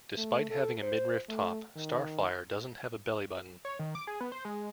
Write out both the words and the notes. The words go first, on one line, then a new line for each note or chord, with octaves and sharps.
Despite having a midriff top, Starfire doesn't have a belly button.
A3
A4
C5
A3
D#3
C#5
D#3
D6
G#4
B3
C5
G#3